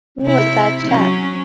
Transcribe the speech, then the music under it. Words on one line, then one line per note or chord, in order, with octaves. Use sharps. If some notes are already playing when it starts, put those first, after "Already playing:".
Who was that chap?
C3 E4
F#3 C#4